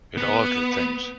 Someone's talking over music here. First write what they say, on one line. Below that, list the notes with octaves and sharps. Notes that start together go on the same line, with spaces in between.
It altered things.
B3